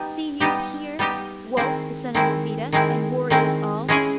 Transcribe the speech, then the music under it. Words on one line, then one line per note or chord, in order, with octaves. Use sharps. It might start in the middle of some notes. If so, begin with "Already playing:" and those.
'See you here, Wulf the son of Ovida, and warriors all!
Already playing: G3 B3 D#4 G4
G3 B3 D#4 G4
G3 B3 D#4 G4
D#3 G#3 C4 E4
D#3 G#3 C4 E4
D#3 G#3 C4 E4
D#3 G#3 C4 E4
G#3 C#4 E4 G#4